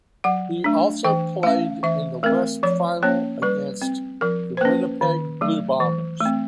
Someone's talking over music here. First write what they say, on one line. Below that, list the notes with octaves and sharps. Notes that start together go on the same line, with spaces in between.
He also played in the West Final against the Winnipeg Blue Bombers.
F#3 F#5
A3 D4
E3 G5
A3 C#4 F5
E3 E5
A3 C4 A#4
F3 C#5
A#3 C#4 C#5
G3 B4
C4
F3 A#4
C5
A#3 C#4 B4
D#3
F#3 A3
E3
A3 C4